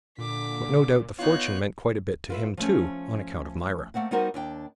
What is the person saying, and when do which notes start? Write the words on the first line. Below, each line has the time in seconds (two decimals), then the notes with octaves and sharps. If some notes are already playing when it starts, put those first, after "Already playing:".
But no doubt the fortune meant quite a bit to him too on account of Myra.
0.18 A#2 D3 D6 B6
1.19 B3 D#4 F4 C#5 F#6
2.30 F4 B4 E5
2.57 F3 A3 C#4
3.94 A3 A#3 C4 F#5
4.11 G3 B3 D#4 F#4 A#4 C5
4.34 D#2 D4 G5